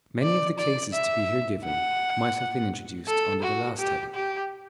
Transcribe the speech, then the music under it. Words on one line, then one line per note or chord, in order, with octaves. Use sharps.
Many of the cases to be here given, might have been introduced under the last heading.
D5
D5
E5
F#5
A4
F#4
G4
G4